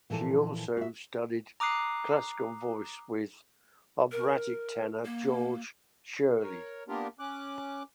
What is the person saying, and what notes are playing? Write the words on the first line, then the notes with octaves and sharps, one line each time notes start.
She also studied classical voice with operatic tenor George Shirley.
A#2 E3 F3 A4
F#4 E5
A#5 D6 D#6 F#6 C7
A#4
A#3
A#4 C#5
A#3 B3 D4 F4 G4 A#4
C#4 D6 F#6